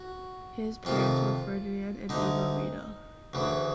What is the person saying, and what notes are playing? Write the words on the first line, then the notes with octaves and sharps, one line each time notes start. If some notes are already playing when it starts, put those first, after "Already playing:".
His parents were Ferdinand and Eva Riedel.
Already playing: F#4
F2 C3 D#3 F4
D2 D3 D#4
D2 C#3 E3